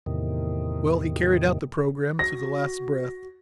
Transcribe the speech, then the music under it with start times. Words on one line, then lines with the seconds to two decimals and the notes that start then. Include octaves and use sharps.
Well, he carried out the programme to the last breath.
0.06 E2 A2 C3 D#3
2.19 F#4 A#6